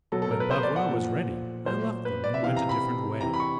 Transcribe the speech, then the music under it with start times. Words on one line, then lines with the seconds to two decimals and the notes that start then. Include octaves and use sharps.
When Bavois was ready, I left them and went a different way.
0.12 B2 F#3 A4
0.22 A4
0.31 A#4
0.40 B4
0.51 C5
0.63 D5
0.76 F#5
0.88 A#2 F3
1.66 A#2 F#3 C5
2.05 B4
2.24 D5
2.34 E5
2.43 C3 E3 F5
2.56 A#5
2.69 B5
3.21 C3 E3 A#5
3.34 B5
3.40 C#6